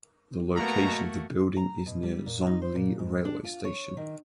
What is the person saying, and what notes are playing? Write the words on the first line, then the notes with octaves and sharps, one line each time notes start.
The location of the building is near Zhongli railway station.
B2 A3 A#3 F#4 A#5
A#5
B2
G3
A#2
D#4
C5
A#2
G#2
D4
F4
C#5
D#3